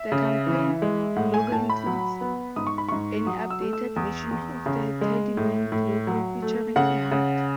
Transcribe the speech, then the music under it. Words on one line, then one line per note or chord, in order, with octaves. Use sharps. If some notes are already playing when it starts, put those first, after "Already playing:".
The campaign logo includes an updated version of the Tidyman logo featuring a heart.
Already playing: E5
C#3
E3
G#3
A2 F#5
G#5
A2 A5
B5
F#3
B3
G#2 D#6
C#6
B5
G#2 C#6
F#3 D#6
E6
A3
E6
E2 D#6
E2
C#3
G#3
A2
A2
F#3
A3
C#3 F#5
C#3